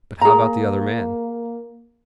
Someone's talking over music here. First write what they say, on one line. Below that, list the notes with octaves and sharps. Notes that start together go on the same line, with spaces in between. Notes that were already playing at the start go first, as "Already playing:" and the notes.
"But how about the other man?"
A#3 G#4 A#5